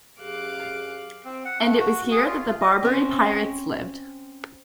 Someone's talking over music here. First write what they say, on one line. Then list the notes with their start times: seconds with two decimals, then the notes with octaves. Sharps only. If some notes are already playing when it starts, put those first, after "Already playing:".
And it was here that the Barbary pirates lived.
0.20 F#2 G4 G#4 F5 D6 F#6
1.24 C4
1.45 F#5
1.60 A3
1.79 F#4
2.11 G#4
2.26 F4
2.41 F4
2.61 D#5
2.83 C4 C#4